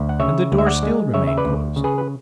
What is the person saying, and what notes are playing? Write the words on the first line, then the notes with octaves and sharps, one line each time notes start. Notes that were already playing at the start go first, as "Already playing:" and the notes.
And the door still remained closed!
Already playing: D2
F#5
C#3 C#5 E5
D2
E5
D5 F#5
G#3
C#3 C#5 E5
E5
B4 D5
D2
C#3
G#4 B4
B4